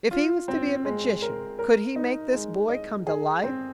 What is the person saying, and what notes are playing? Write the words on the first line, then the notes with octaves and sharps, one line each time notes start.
If he was to be a magician, could he make this boy come to life?
F4
C4
G#3
A#4
A#4
D#4
G#3
D#5
G#4
C4